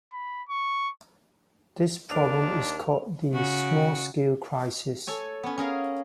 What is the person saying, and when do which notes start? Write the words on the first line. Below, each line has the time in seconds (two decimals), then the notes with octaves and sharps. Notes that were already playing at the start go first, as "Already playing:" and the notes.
This problem is called the "small scale crisis".
0.13 B5
0.49 C#6
2.11 D#2 D4 A#4 F7
3.33 C#3 F#4
5.07 A4 C#5 G#5
5.43 B3 C#4
5.58 C#4 G#4 A#4 F5